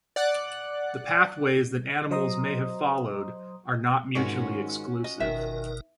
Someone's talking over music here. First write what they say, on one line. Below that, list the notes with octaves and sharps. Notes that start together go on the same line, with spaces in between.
The pathways that animals may have followed are not mutually exclusive.
D5 F#5 F#6
F#3 C5 D#5 A#5 C6 D#6
G#2 D#3 C#4 F4 F#4
D#5
G1 B2 D#3 A#4 E5